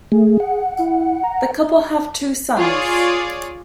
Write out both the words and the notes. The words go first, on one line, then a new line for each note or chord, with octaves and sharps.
The couple have two sons.
A3 G#4
F#5
E4
A#5
F4 G#4 C#5 D5